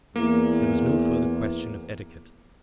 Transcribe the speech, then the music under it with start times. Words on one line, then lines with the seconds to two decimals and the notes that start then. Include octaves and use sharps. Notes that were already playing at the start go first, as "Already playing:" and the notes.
There was no further question of etiquette.
0.16 E2 A#3